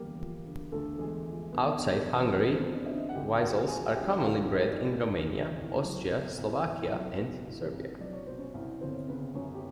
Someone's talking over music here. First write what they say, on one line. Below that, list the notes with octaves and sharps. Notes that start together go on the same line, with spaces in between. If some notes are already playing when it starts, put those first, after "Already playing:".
Outside Hungary, vizslas are commonly bred in Romania, Austria, Slovakia, and Serbia.
Already playing: E1 D2 D3 G3 A#3 G4 A#4
F3
D3
D2 A3 A4
E1 G#3 G#4
F3
D3 B3 B4
D2
D5
E1 C#5
C5
G#3 B3 B4
C4 C5
F3
D4 D5
D3 E5
D#4 D#5
F#5
D2 G4 G5
F5
G#3 F#4 F#5
F3 G#4 G#5
F#5
D3 G4 G5
D2 F4 F5
G#3 D#4 D#5
D5
F3 D#4 D#5
D3
D2
C2
F#3
B2
C2
C2
F#3
B2
C2
C2
F#3 D5
C#5
B2 C5
C#4 C#5
C2
G1 C4 C5
C#3 B3 B4
F#2 C#4 C#5
G4